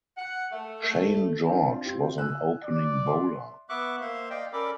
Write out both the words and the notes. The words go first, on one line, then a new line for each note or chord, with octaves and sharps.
Shane George was an opening bowler.
F#5
A3
A3
C4 D4 F4
C4 F4 G4
G#5 E6 F#6
D5
E5 C6
B3 E5 C#6 D6 F#6
A#3 C5 E5 F5 C6
D5 D#5 F5 G5
C#4 A4 A#4 D5 B5 D6